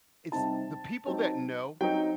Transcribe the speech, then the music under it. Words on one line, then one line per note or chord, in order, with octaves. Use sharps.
it's the people that know,
C3 G3 C4 D#4 A5
F#3 C4 D#4
F#3 C4 D#4 G5